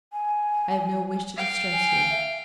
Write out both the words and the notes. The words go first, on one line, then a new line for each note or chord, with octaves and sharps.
I have no wish to distress you.
G#5
F5 G5
G#5
E5